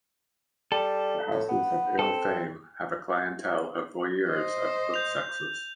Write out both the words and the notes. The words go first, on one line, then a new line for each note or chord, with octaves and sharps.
The houses of ill-fame have a clientele of voyeurs of both sexes.
G3 A4
A2
B3
C4 A4
C5 D#5
G6 F7